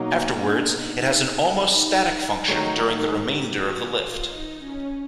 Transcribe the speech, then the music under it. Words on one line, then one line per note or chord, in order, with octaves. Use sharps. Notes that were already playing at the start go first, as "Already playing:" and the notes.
Afterwards it has an almost static function during the remainder of the lift.
Already playing: B2 F#3 A#3 D#4
D4
D#4
D#3 F#3 A3 D#4
G4
F#4
F4
D#4
C#4